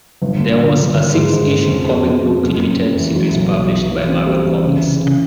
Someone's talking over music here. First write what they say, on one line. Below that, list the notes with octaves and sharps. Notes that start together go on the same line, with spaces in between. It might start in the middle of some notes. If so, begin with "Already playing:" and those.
There was a six-issue comic book limited series published by Marvel Comics.
G1
D3
D3
G1
D#3
G#2
G#2
C#4
F2
F2
F2
F2
F#1
F#2
F#2
E3
F#3
B1
B1
F#3
E3
C4
G3
E3
C#3
C#3
C#3